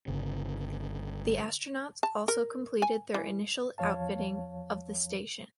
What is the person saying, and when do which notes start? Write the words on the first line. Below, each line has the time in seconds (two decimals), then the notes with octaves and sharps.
The astronauts also completed their initial outfitting of the station.
0.08 G1 C#3
2.03 A5
2.28 A#4
2.82 G#5
3.14 E3
3.78 E2 F3 C#5 F5 A5